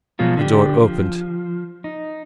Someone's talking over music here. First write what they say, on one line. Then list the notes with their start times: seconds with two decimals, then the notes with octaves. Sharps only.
The door opened.
0.19 B2 F3 F#3 G#3 B3 F4
0.37 D3 D4 G4
0.82 F3
1.84 D#4